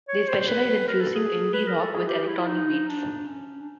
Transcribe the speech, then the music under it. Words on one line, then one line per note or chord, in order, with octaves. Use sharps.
They specialize in fusing indie rock with electronic beats.
C#5
C5
C5
B4
A#4
A4
G#4
B4
A#4
A4
G#4
G4
E4
D#4
D4
C#4
D4